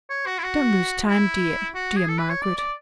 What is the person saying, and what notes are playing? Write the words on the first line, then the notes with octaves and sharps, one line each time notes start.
Don't lose time, dear, dear Margaret.
C#5
F#4
E4
F#4
E4
F#4
G#4
A4
B4
C#5
D5
D5